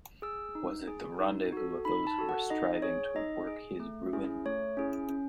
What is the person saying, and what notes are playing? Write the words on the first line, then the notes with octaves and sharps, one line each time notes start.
Was it the rendezvous of those who were striving to work his ruin.
G#4 E6
D#4
G#4
D#4
F#4 A4
D#4 B5
A5
F#4 A4
F#5
D#4 D#5
G#4 C#5
D#4 D#5
G#4
A3
C#4 E4 G#4
A3 C#5
C#4 E4 G#4
C#4